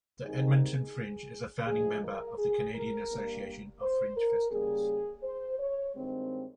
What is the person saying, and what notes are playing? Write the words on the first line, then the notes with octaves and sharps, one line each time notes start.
The Edmonton Fringe is a founding member of the Canadian Association of Fringe Festivals.
G#2 D#3 G3 C4 D#4 G#4
G#4
G2 F3 G#3 G#4
A#4
G#4
A#4
G2 G3 A#3
C5
A#4
C#3 G3 A#3 G#4
C5
C#5
G2 D#3 G#3 C4